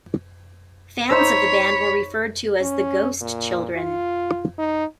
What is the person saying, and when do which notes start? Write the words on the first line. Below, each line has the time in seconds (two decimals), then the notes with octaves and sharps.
Fans of the band were referred to as the "Ghost Children".
1.10 D#4 C5 C#5 B5 E6
2.61 C#4
3.21 A#2
3.76 F4
4.58 D#4